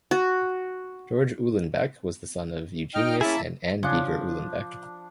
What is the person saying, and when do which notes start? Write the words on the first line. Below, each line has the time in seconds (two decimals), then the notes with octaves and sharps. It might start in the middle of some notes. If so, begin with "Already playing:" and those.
George Uhlenbeck was the son of Eugenius and Anne Beeger Uhlenbeck.
0.11 F#4
2.95 D#4 D#5 G5 F6
3.21 A#3 C#4 E4 G#4 E5 A5
3.83 C#3 F3 D4